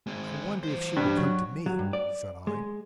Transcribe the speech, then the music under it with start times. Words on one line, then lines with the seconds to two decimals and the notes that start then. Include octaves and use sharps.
"I wonder if she will come to me?" said I.
0.07 G#3 C4
0.63 E3 C5
0.96 G2
1.17 F#3
1.66 F#3
1.79 G2
1.93 D5
2.47 G#3